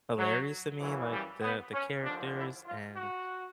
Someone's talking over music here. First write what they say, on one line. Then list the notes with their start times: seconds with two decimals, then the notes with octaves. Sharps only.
hilarious to me, like the the characters and,
0.18 F#3
0.79 F#2 C#3 E3 F#3
1.10 G3
1.42 B3
1.72 C#4
2.02 D#2 D3 F3 D4
2.34 E4
2.65 F4
2.96 F#4